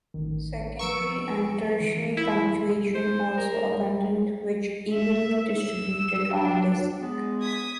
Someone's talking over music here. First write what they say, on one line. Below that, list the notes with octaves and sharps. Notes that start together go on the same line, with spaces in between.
Secondary and tertiary punctation also abundant which evenly distributed on disc.
A1 D#3
F3 B4 A#5 C#6 E6 D7
E3
E4
C5
A#4
E5
E6
D4
G#3 B3
D#6 G#6 B6